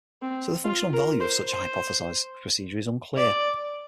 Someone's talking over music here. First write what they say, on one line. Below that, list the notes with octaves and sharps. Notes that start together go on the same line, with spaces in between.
So the functional value of such a hypothesized procedure is unclear.
C4
F4
A#4
C5
C5
D5